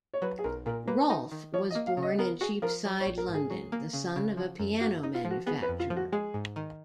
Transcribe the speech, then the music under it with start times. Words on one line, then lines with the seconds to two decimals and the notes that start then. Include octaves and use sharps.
Rolfe was born in Cheapside, London, the son of a piano manufacturer.
0.14 C#5
0.22 F#3 B4
0.39 G#4
0.44 B1 A#4
0.66 A#2 A#4
0.87 A#3 B4
1.10 D#4
1.32 D#3
1.54 F3 C#5
1.70 D#5
1.75 A#3
1.87 F5
1.97 C#3
2.02 D#5
2.19 B3 A#4
2.41 F#4 G#4
2.62 F3 A#4
2.85 F#3
3.01 C#5
3.07 A#1
3.18 A#4
3.28 G#2
3.34 G#4
3.50 F#3
3.72 A#3
3.93 C#3
4.16 C#3
4.37 F3
4.60 F#2
4.81 A#3 F#4
5.03 D#4
5.15 F4
5.25 F3
5.30 F#4
5.46 B3 G#4
5.62 B4
5.69 F2
5.80 F4
5.90 F3
5.96 F#4
6.12 G#3 G#4
6.34 G#2
6.56 D#3